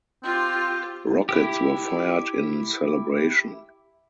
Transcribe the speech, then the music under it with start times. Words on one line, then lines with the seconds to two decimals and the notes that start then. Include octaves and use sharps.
Rockets were fired in celebration.
0.23 C4 F4 G4
1.29 E4 G4